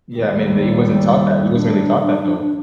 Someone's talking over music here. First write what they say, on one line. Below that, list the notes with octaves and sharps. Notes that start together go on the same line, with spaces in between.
Yeah. I mean, the you wasn't taught that. You wasn't really taught that though.
D#2 G3
D4